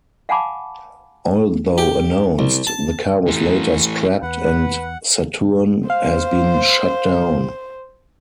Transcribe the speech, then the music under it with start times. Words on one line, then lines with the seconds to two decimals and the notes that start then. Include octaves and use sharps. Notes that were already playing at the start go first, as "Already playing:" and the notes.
Although announced, the car was later scrapped and Saturn has been shut down.
0.29 F5 F#5 G#5 A5 B5 D6
1.78 G4
2.39 C2
2.67 A5
3.27 E3 A3
4.22 E2 B4 F#5
5.90 C5 F5